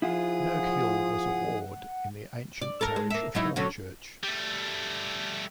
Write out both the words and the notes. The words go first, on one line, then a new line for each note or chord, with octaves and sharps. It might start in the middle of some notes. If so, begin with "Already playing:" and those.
Noak Hill was a ward in the ancient parish of Hornchurch.
F3 E4 F4 G#4 F#5 D#6
D5
A4 A#4
G#3
A#3 E5
F#3 D#4 E4
D3 F#3 C#4
G3 A3